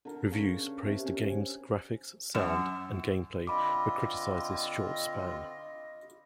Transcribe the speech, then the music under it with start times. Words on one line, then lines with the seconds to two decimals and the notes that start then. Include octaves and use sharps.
Reviews praised the game's graphics, sound, and gameplay, but criticized its short span.
0.05 D3 A#4
0.31 C#3 D4 C#5
0.84 C3
1.05 C#4
2.35 F#2
3.47 D3 C4 F4 D#5 B5 D6